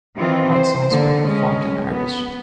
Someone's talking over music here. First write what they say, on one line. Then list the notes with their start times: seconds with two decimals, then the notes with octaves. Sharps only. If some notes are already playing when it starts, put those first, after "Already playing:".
All songs were performed in Irish.
0.15 D#3 E3 C4 F4
0.50 C5
0.90 D3 A#3
1.23 G#3 C#4
1.87 B3